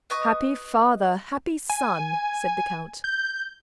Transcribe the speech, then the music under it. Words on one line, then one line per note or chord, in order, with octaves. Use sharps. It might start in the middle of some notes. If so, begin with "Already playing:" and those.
"Happy father, happy son!" said the count.
B4 D#5 C#6 D#6
G#5
G6